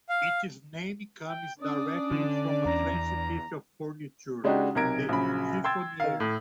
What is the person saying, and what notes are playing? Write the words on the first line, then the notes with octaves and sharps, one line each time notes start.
Its name comes directly from a French piece of furniture, the chiffoniere.
F5
G5
C#4 D4 D5 D#6
D3
E2 A#5
C#3 G#3 D4 D#4 F#4 G4
B1 C3 A#4 G#6 A#6 D7
A#1 C#3 F#3 B5
G5 C6 E6 G#6 A6
D#3 F5
A2